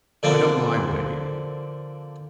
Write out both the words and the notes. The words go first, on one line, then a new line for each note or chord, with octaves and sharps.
I don't mind waiting.
D3 F3 A#3 C4 D4